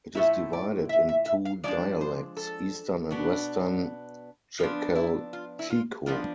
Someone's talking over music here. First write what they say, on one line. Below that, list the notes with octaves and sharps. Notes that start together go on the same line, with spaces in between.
It is divided in two dialects, Eastern and Western Jakalteko.
A2 F3 A3 E4 E5
D5
E5
E5
E5
F5
F3 G#3 D4 D5
C5
A4
B2 B3 D4
F3 B3 D4 F4
E4
F4
E4
F4
F3 B3 D4 F4